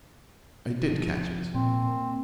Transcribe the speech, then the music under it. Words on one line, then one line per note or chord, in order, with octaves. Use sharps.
I did catch it.
C3 F3
A#2 C4
A#3